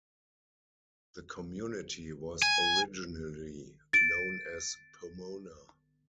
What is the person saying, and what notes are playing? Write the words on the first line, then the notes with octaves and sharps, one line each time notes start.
The community was originally known as Pomona.
G#5
A6 D7